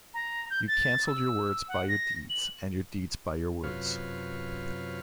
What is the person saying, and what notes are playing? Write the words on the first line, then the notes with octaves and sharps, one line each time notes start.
You cancelled your words by your deeds and your deeds by your words.
A#5
G6
A6
E6
F#5
A#6
F#7
F#2 C3 F4 B4 C#5 F5